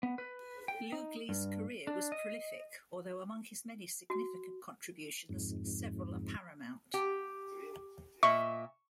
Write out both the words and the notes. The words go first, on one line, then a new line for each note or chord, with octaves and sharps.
Lugli's career was prolific, although among his many significant contributions, several are paramount.
B3
B4
G5
D#4
G2
D4
D#5
F#4
F2 G#2
G4
A#2 D#5 E5 C#6